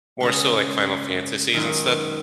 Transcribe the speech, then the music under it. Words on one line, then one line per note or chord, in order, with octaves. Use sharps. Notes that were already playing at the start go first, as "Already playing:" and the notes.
more, so, like, Final Fantasies and stuff.
C#3 G#3 C#4 G#4
F#2 D#3 G#3